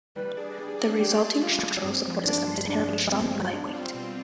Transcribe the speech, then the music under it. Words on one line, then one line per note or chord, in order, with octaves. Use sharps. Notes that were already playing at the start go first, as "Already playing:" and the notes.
The resulting structural support system is inherently strong and lightweight.
G3 B4
D4 G#4 D5
G3 G#4
D4 G#4 D5
G3 G4
D4 G#4 D5
G3 F4
D4 G#4 D5
G2 C4
F3 G#3
G2 D4
F3 G#3
G2 D4
F3 G#3
G2 C4
F3 G#3
B2 D4
G3 C4 F4
B2